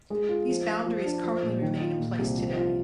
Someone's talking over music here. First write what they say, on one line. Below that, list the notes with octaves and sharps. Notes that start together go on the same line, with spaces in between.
These boundaries currently remain in place today.
G#3
F4
F3
F4
F3
D4
F3
A#2
D#3
F4
A#2
C2
F3
F4